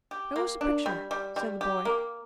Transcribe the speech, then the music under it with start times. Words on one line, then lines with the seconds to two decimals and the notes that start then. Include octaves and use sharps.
'Show us a picture,' said the boy.
0.11 G4
0.36 A#3
0.61 D4
0.86 G3
1.11 G3
1.36 G3
1.61 G4
1.85 A#3